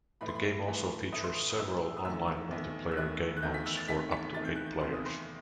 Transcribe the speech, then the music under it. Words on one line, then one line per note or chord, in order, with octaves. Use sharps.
The game also features several online multiplayer game modes for up to eight players.
A2 E3 A3 B5
C6
B5
A2 E3 A3
A2 E3 A3 D#6
C6
D#6
D#6
A2 E3 A3 E6
D#6
E2 D#3 A3 E6
E6
E2 D#3 A3
E6
E2 D#3 A3 F#6
F#6
E2 D#3 A3 G6
B6
E6
A6
E2 C3 D#3 A3 B6
B6
E2 C3 D#3 A3 A6
G6
F#6
G6
E2 C3 D#3 A3 C6
D#6
C6